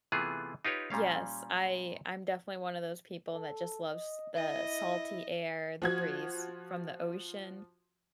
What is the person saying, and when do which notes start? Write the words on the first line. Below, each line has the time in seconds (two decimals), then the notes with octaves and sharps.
Yes, I I'm definitely one of those people that just loves the salty air, the breeze from the ocean.
0.12 C3 E3 A3 B3 F4 G#4
0.65 D#4 F4 G4 B4 C#5
0.90 A#2 G3 C#4 F5
3.32 A4
3.90 D#5
4.36 E4 D#5
5.82 F3 F#4 G#6